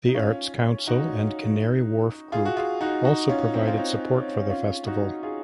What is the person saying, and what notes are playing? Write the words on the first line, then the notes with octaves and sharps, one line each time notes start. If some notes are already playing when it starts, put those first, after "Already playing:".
The Arts Council and Canary Wharf Group also provided support for the festival.
D#4
C#4 F4
D#4 F#4
F4 G#4
F#4
F4 G#4
D#4 F#4
D#4 F#4
C#4 F4
C4
F4
C4 D#4
C#4 F4
D#4 F#4
F4 G#4